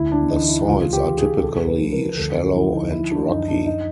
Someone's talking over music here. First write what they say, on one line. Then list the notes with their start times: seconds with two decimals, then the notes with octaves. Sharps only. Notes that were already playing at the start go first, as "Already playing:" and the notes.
The soils are typically shallow and rocky.
Already playing: D2 E4
0.12 D4
0.30 E3 D#4
0.49 E4
0.68 C#2 F4
0.93 G4
1.05 E3
1.18 G#4
1.43 C2 A4
1.68 B4
1.80 F3
1.92 A#4
2.17 D2 A4
2.36 F4
2.54 F3 E4
2.73 D#4
2.92 D#3 E4
3.11 D4
3.29 F#2 D#4
3.48 D4
3.66 D#4